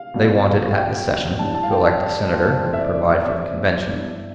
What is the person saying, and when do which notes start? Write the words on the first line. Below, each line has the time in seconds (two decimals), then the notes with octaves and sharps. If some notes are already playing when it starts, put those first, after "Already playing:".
They wanted at this session to elect a senator and provide for the convention.
Already playing: F5
0.14 B2 G3 B3
0.76 G5
1.39 G2 E3 G3 D4 A5
1.55 A5
1.63 F5
1.70 G5
1.86 A5
2.02 D5
2.32 C5
2.64 F2 E3 A3 C4 C5
2.73 E5
2.80 D5
2.94 D5
3.11 D5
3.26 E5
3.89 G2 E3 B3 D4